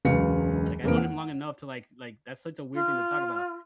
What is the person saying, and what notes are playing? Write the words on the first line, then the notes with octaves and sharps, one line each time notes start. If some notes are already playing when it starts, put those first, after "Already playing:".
Like, I've known him long enough to, like-" like, that's such a weird thing to talk about,
E1 C#2 F#3 B4 F5 C#7
E1 F2 A#3 B4 D7
F#5
F4